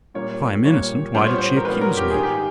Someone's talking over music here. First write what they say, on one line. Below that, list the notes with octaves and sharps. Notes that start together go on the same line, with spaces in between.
"If I am innocent, why did she accuse me?"
A#2 G3 A#3 C#5
A#2 G3 A#3 C#5
A#2 G3 B3 C5
C#5
C5
A#4
A#2 G3 B3 B4
A#4
G4
G#2 D#3 G#3 B3 G#4
G4